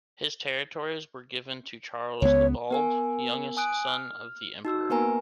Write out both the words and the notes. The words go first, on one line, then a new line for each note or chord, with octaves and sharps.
His territories were given to Charles the Bald, youngest son of the Emperor.
C#2 B3 C#5
B3 A#4 G#5
G#5 D#6 F#6 D7
F6
D#4 F#4 E6
A#3 B3 A#4 B4 G#5 A#5